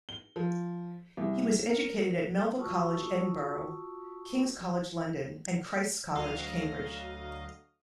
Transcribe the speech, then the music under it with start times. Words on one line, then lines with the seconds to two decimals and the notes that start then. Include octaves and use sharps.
He was educated at Melville College, Edinburgh; King's College London and Christ's College, Cambridge.
0.09 G7
0.36 F3
1.17 C2
1.69 A#4
2.59 F4 F#4 A5 C#6 D#6 E6
6.15 D2 F#3 D#5 F5